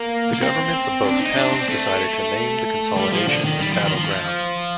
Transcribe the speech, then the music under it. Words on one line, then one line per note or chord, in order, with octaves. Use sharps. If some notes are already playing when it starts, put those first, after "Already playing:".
The governments of both towns decided to name the consolidation Battle Ground.
Already playing: A#3
A#3
C4
D4
D#4
D4
C4
A3
G3
F3
D3
D#3
G3
F3
D#3
F3